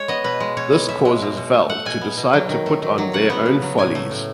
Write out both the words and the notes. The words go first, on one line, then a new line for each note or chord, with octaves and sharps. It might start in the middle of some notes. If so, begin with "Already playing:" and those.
This causes Val to decide to put on their own follies.
Already playing: G#3 C#5
B3 D#5
B2 B4
G#3
B2 C#5
B3
B2 E5
G#3
B2
B2
A3
A3 F#5
B2 G#5
B3
B2
F#3
D#3
A3
D#3
F#3
C#3 F#5
B3
C#3
F#3
A2 G#5
A3
A2